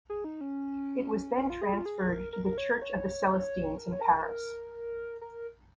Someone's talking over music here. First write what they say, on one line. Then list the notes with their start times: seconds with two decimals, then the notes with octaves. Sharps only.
It was then transferred to the church of the Celestines in Paris.
0.10 G#4
0.24 D#4
0.41 C#4
1.37 C#4
1.50 F4
1.62 G#4
1.73 F4
1.86 G#4
2.09 A#4
2.33 A#4
2.46 A#4
2.58 C#5
2.70 A#4
2.82 C#5
3.78 A#4
3.92 C#5
4.01 A#4
5.21 A#4